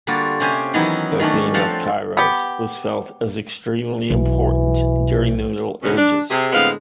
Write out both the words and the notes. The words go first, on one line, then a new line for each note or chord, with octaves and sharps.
The theme of Kairos was felt as extremely important during the Middle Ages.
D3 G3 A#3 F4 F#4
C3 C#4 G4 C5 G#5
D#3 E3 F#3 B3 D#4 E4
D#3 A3 C#4 D4
F3 C4 F5 F#5 A5
B3 G4
B1 B2 E3
D2 B2 C#4
D4
C3 G#4
A2 D3 G#3 B3 C4 F5